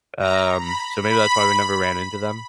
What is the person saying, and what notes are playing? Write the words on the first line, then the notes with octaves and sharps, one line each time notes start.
Um, so, maybe that's why we never ran into them,
A#5
B5
B5